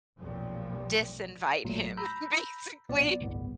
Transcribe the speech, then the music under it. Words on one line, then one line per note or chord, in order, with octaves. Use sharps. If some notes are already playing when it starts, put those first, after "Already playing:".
disinvite him, basically."
F1 B1 A#2 F3 G3
A1 A#2 F#3 A3
A#5 B5 E6 G6
B1 A#2 B3 D5
G1 C2 A2 B3